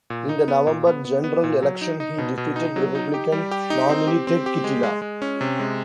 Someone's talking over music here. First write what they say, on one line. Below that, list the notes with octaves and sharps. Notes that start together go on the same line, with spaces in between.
In the November general election he defeated Republican nominee Ted Kittila.
A#2
D#4
B3
A#2
B3
B3
B3
A#2
F#3
D#4
D#4
B2
B2
D#4
F#3
D#4
G4
G3
G4
D#4
C4
G4
C4
G4
G#3
G#3
G#3
C#4
C3
G#3